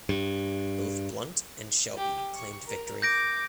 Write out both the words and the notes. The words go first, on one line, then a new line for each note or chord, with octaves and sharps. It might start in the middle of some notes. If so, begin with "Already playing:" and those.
Both Blunt and Shelby claimed victory.
G2
G4
C#6
A#4
D6 G6 A#6 D7